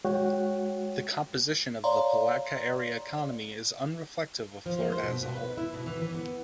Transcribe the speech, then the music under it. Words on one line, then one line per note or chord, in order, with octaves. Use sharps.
The composition of the Palatka area economy is unreflective of Florida as a whole.
G#3 F#4 C#5 F#5 G5
C#5 D5 F5 A#5 C6
F3
A#3
C5
B2
B2
B4
E4
B2
E3
E3
B3